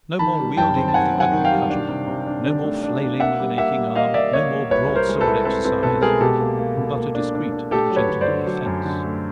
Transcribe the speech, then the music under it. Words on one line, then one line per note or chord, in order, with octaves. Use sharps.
No more wielding of the ugly cudgel; no more flailing with an aching arm; no more broadsword exercise, but a discreet and gentlemanly fence.
D#3 A5 B5
G3
F#2 G5 A5
C4
A5
D#3 F#5 G#5
F#2
F#5 G#5
D#3
F5 G5
G3
D4
C3
C3
D4
D4
A3
D4
D4
A#3 E5 F#5
G3
A#3 E5 F#5
G3
A#3 D#5 F5
A#3 D5 E5
A#3 C#5 D#5
A#3
C2 B4 C#5
C2
A#4 C5
G#3
A4 B4
C2
C4 A4 B4
C4 A4 B4
B2 A4 B4
G#3 G#4 A#4
B2 G4 A4
A#3
A#3
B2
A#3
D4
D4
D4
A3 G4 A4
F#3
B4 C#5
D3
C5 D5
D3
F#3
F#2
D3
A3